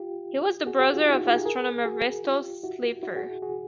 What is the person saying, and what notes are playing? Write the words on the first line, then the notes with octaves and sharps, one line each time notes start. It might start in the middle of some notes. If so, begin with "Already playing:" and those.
He was the brother of astronomer Vesto Slipher.
Already playing: F4 G4
F#4 G#4
F#4 G#4
F4 G4
D#4 F4
E4 F#4
F4 G4
F#4 G#4
G#4 A#4
F#4 G#4
F4 G4
E4 F#4
E4 F#4
F#4 G#4
F#4 G#4